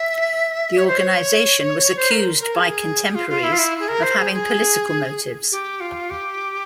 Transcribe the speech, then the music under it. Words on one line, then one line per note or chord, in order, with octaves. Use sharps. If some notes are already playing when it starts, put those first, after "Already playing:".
The organization was accused by contemporaries of having political motives.
Already playing: E5
C#5
C5
C#5
C5
A#4
A#4
G#4
F4
F4
E4
F4
E4
G#4
A#4
C5
G#4
G#4
G4
F4
G4